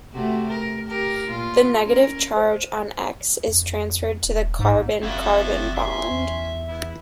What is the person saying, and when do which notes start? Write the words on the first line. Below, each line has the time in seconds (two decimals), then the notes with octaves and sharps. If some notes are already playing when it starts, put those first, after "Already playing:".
The negative charge on X is transferred to the carbon - carbon bond.
0.13 C3 A3 F#4
0.49 A#4
0.87 G4 A#4
1.26 A#2 F4
1.82 C#4 A#4
2.37 C5
3.47 F2
4.23 D#1
4.59 A#1 G#2
5.03 F#1 C4 F#4 D5 E5 F5
5.76 C#4 E5 C6
6.11 E2
6.69 B3 E4